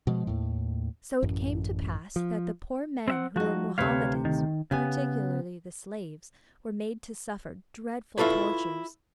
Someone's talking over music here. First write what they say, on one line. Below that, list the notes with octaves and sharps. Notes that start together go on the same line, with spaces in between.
So it came to pass that the poor men who were Mohammedans, particularly the slaves, were made to suffer dreadful tortures.
B2 F3 G#3
D#2 A2
A1 F#2
F3
C4 E5 F#5
F3 G3 D#4 F#4
D2 C3 B4 C#5 F5
D#3
C#3 B3 G4 G#5
E4 F4 A4 B4 C#5